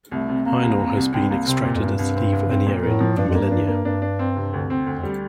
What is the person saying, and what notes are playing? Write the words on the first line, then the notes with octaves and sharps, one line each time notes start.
Iron Ore has been extracted at Slieve Anierin for millennia.
C2 A3
C3
C2 A#3
C2
C3
C2
C2 C4
C2 A#3
C3 C4
A#2
F2
C2 G2
C2
C4
C2
C4
A#2
A2 A#3
F3
G2 D4
F2
A#3
G2
D4
A#3
G2 D4
D4
C4
C3
D2
C4
D2
F2
G3